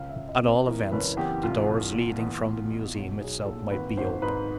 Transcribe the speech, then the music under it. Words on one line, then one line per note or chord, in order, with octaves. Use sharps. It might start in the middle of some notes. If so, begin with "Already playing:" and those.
At all events, the doors leading from the Museum itself might be open.
Already playing: C#2 F5
E5
C#2
D#5
C3
C5
E3 A#4
F#1 B4
E2 G4
C2 F4
C2
A#2
E2
E2
B2
B1 F#4
B1 G#4
A#2 A4
G#1 B4
G#1 C5
G#2 B4